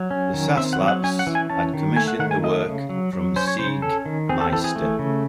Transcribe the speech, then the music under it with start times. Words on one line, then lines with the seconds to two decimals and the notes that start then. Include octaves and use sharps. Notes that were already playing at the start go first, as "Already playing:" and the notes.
The Saslavs had commissioned the work from Siegmeister.
Already playing: F#3
0.11 C#4
0.34 D#3
0.57 C4 E5
0.73 F#5
0.81 F#3
0.88 F#5
1.04 C#4 G#5
1.19 F#5
1.27 E3
1.35 G#5
1.50 C#4 A5
1.74 D#3
1.96 A3 G#5
2.08 F#5
2.19 D#3 F#5
2.31 G#5
2.43 A3 D#5
2.66 C#3
2.89 F#3
3.13 F#3
3.36 C#4 C5
3.47 C#5
3.59 C#3 C5
3.82 C#4 A4
4.06 D#3
4.29 C4 G#4
4.41 A4
4.52 E3 A4
4.64 G#4
4.76 A3
4.99 C#3